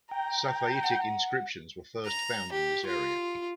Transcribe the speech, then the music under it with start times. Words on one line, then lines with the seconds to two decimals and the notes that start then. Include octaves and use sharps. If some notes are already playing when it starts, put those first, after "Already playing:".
Safaitic inscriptions were first found in this area.
0.11 G5 A#5
0.83 F#5
2.06 A#5
2.52 G4
2.87 F4